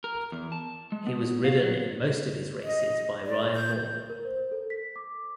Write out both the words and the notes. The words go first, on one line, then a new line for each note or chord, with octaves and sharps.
He was ridden in most of his races by Ryan Moore.
A#4
E2
A5
G#3
B3
F5
F#3
D#5
D5
G6
A#4
C5
A4
B6
D6